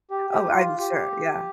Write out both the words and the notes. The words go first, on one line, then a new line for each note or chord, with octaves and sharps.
Oh, I'm sure, yeah.
G4
G4
F4
G4